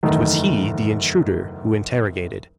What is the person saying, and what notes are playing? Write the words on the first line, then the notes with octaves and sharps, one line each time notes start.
It was he, the intruder, who interrogated.
F#1 E2 D#3 A3 D#4